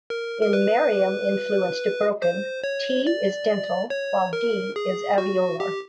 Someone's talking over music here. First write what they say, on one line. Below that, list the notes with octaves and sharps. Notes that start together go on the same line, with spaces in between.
In Meriam influenced Broken, t is dental, while d is alveolar.
A#4
A#4
B4
C5
C#5
D5
C#5
A#4
G#4
F#4
G4